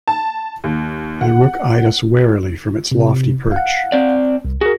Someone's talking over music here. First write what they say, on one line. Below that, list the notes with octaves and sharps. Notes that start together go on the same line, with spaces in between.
The rook eyed us warily from its lofty perch.
A5
D#2
F#5
C3
F5 F#5
C4 D5
C2
F#4 G#4 A#4